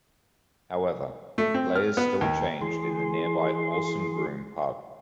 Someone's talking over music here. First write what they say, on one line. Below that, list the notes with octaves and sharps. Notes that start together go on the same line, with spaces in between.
However, players still changed in the nearby Horse and Groom pub.
A3
C4
F6
B3
D#2
E3 G#4 C6